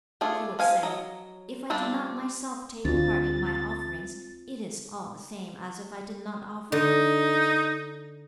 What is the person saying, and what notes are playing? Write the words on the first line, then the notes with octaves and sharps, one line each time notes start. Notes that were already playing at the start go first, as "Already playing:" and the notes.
He would say, "If I do not myself take part in my offerings, it is all the same as if I did not offer them."
A3 D4 F4 G#4
F3 F5 G#5
F#3 D#5
G3 C4 D4 F4
D2 C4 F4 A6
D3 D#4